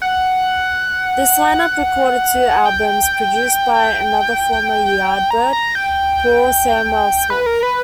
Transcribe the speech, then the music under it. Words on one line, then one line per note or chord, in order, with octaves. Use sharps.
This line-up recorded two albums, produced by another former Yardbird, Paul Samwell-Smith.
F#5
G5
A#5
A#5
G5
B4
A#4
B4